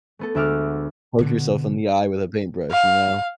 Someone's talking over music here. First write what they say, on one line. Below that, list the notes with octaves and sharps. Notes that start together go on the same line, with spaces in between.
poke yourself in the eye with a paintbrush, you know.
A3 B3 A4
D2 G#3 E5 F#5 D6 F6
B2 D3
F5